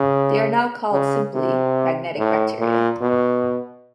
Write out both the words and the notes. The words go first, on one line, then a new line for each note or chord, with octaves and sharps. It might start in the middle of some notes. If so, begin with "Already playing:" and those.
They are now called simply "magnetic bacteria".
Already playing: C#3
C#3
C3
A2
A#2
B2